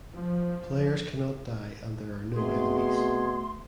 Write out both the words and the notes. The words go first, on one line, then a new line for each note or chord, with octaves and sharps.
Players cannot die and there are no enemies.
F3
B2 A3 C4 G#4 C6